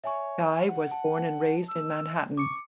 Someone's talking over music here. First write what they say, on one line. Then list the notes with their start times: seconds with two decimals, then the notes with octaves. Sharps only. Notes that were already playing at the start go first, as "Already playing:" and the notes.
Guy was born and raised in Manhattan.
0.04 C#5 E5 G#5 C#6
0.68 F#5
0.91 A5
1.68 E6
2.37 C#6 D6 C#7